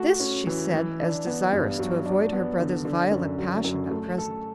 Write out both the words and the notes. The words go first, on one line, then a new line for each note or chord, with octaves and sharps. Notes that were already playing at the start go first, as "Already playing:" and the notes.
This she said, as desirous to avoid her brother's violent passion at present.
Already playing: A3 F#4
C#4
E3
E3
D4
B3
G2
F#3
D4
B3
D3
D3
F#2
F#3
F#2
A3
A4